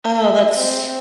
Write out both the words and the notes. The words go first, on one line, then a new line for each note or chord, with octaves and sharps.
Oh, that's
E5
C4